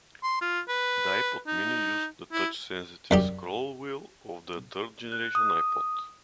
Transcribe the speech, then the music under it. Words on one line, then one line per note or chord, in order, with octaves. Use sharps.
The iPod Mini used the touch-sensitive scroll wheel of the third generation iPod.
C6
F4
B4
D#4
E4
F#2 G3 G4
F#6
D#6